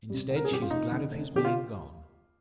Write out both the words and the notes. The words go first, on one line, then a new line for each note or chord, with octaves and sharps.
Instead, she is glad of his being gone.
C3 G3
C2
A#4
G#4
C3 G3 G4
F4
F1 D#4
F2 D3
F1
F2 D3 G4
F4